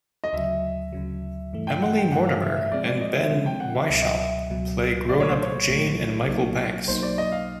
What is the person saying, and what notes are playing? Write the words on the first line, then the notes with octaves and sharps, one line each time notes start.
Emily Mortimer and Ben Whishaw play grown up Jane and Michael Banks.
D#5
D2 C#3 F#3 E5
D2 C#3 F#3
G2 E3 A3
G5
F#5
G5
G2 E3 A3 F#5
F5
E5
E5
C3 F3 G#3 C4 D5
D5
D#5
E5
C3 F3 G#3 C4
G5
F#5
E5
C#2 B2 F#3 E5
D#5
E5
C#2 B2 F#3
B1 A#2 F#3 A3 D5
C#5
C5
C#5
B1 A#2 F#3 A3
B1 B2 F#3 A#3 D#4
B1 B2 F#3 A#3 D#4 C5
D5
D#5
F5